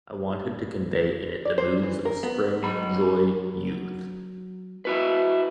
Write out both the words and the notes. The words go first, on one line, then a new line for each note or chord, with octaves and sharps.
I wanted to convey in it the moods of spring, joy, youth.
D5
C5
E3
A#4
B3
F#3 B5
E4 F#4 B4